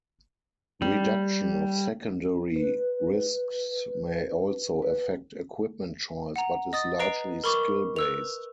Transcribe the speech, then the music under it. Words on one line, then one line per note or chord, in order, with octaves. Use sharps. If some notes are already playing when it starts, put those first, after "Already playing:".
Reduction of secondary risks may also affect equipment choice, but is largely skill-based.
G3
B4
B4
F#5 A#5
D#5 D#6 A6
B4 D#5 A#5 C7 D7
A#4 B5 C#6 D6
B4 E6 F7